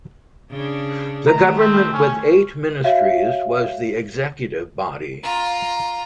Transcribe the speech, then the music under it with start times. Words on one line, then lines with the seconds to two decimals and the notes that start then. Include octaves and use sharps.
The government with eight ministries was the executive body.
0.51 C#3 D4
1.27 D#3 A3 A#5
1.59 C4
1.93 C#4
2.84 F#4 C#5 E5 F5
5.23 F4 A#5